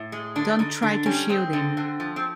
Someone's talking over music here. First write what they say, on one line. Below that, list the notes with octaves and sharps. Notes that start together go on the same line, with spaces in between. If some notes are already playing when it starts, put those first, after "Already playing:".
Don't try to shield him.
Already playing: A2
G#3
D3 D4
D3 D#4
D3 D4
G3 C#4
G#3 C4
D3
D3
F3
C4